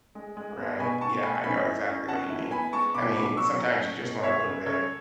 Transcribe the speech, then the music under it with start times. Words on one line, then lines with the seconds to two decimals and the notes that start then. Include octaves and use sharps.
Right, yeah, I know exactly what you mean. I mean, sometimes you just wanna go to bed,
0.15 G#3
0.37 G#3
0.58 B3
0.80 B2 G#5 B5
1.01 B2 A5 C#6
1.22 A3 G#5 B5
1.44 C#4 G#5 B5
1.66 E4
1.87 C#4
2.08 C#4 F#5 A5
2.30 E4
2.51 B3 G#5 B5
2.73 G#3 A5 C#6
2.94 B2 B5 D6
3.16 B2 B5 D6
3.37 F#3 C#6 E6
3.59 F#3
3.80 C#4
4.01 B2
4.23 G#3 C#5 E5
4.45 C#3
4.66 C#3 A4 C#5